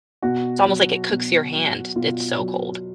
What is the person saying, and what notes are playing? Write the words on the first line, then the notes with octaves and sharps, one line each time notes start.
it's almost like it cooks your hand, it's so cold.
B2 F#4
F#3
B2
F#3
B2 F4
F#3